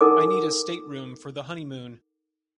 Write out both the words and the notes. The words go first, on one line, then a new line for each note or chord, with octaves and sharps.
I need a stateroom for the honeymoon.
D#4 A4 A#4 F#5 G#5 D6